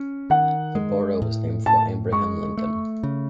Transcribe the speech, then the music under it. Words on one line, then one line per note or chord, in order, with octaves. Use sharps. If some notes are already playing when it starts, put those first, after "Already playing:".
The borough was named for Abraham Lincoln.
Already playing: C#4
D#3 F#5
G#3
A2
A2 A5
G#3 C#6
A3
C#3